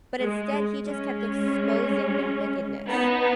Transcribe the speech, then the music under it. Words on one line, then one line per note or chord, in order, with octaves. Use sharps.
But instead, he just kept exposing their wickedness
G#3
G#3 C#4
B3 D#4